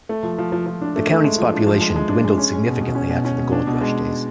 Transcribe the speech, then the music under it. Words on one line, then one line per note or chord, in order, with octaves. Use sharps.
The county's population dwindled significantly after the gold rush days.
A3
F3
F3
F3
F3
D4
A3
A3
G#3
F3
D4
F3
G#3
G#3
D4
G#3
C#4
C#4
B2
B2
C#4
B2
C#4
B2
D4
B2
G#3